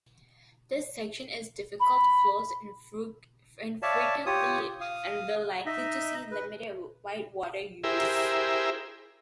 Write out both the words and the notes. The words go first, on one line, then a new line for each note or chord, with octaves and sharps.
This section is difficult, flows infrequently, and will likely see limited whitewater use.
B5
C#5 D5 E5 F5 A5
F4 G4 C#5 D#6
F5 D#6
D#4 D#5 E5
B4
E4 G4 G#4 A#4 C5 E5